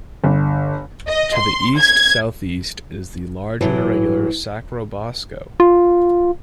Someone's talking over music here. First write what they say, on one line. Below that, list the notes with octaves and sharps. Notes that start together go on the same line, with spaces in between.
To the east-southeast is the large and irregular Sacrobosco.
G1
D#5
C6
G#6
A2 E3 F#3
F4